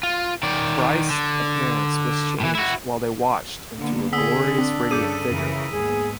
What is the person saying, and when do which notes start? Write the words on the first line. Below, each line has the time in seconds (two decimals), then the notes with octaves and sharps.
Christ's appearance was changed while they watched into a glorious radiant figure.
0.03 F4
0.43 D#3 D5
1.10 D3
2.40 A2 E3
2.55 E4 F#4
3.78 D3 A#3 B3
4.13 D3 B3 G#4 D#6 E6 B6
4.59 C4 D4
4.91 G2 C#3 G#4 A4 D6 G6 D#7
5.31 F#2 C#3 E3 A#4
5.73 D#2 G#2 B3 G#4